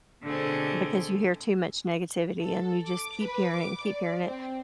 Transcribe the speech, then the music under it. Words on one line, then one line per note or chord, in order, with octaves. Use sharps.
because you hear too much negativity, and you just keep hearing it and keep hearing it,
B2 D3 A3 C4 G#4
A4
D6
B4
D6
D5
C4